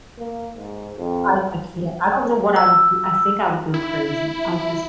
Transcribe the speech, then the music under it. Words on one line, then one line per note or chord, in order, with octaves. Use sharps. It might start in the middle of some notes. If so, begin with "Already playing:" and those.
I I can't. I don't know what I would do. I think I would go crazy. I just
A#3
G#2
F2
E6
E4